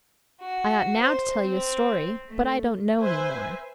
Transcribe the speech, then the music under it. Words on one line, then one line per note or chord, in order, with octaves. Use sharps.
"I ought now to tell you a story; but I don't know any more."
F#4
C5
C4
A3
B4 C5 E5 G#5